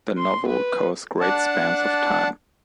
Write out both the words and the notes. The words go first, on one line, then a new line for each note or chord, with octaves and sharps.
The novel covers great spans of time.
C6
B4
D4 D5 F#5 A5